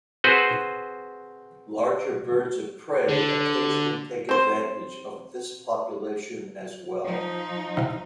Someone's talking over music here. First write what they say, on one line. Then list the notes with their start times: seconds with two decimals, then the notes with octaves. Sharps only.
Larger birds of prey occasionally take advantage of this population as well.
0.24 C4 F#4 G#4 B4 C5
3.09 D3
4.29 C4 C5
7.04 F3 D#4